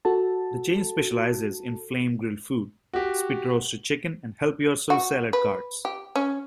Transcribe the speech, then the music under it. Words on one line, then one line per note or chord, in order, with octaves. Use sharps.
The chain specialises in flame grilled food, spit-roasted chicken and help yourself salad carts.
F#4 A4 A5
F#4 G4
F#4
B4
G4
C#4